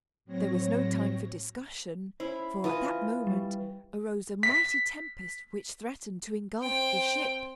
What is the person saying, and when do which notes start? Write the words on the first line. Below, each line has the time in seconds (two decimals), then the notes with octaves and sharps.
There was no time for discussion, for, at that moment, arose a mighty tempest which threatened to engulf the ship.
0.25 A2 F#3 C4 C#5 A#6
2.20 C#4 E4 C5
2.64 E3 F4 D#5
3.27 G3
4.43 B6
6.62 C4 G5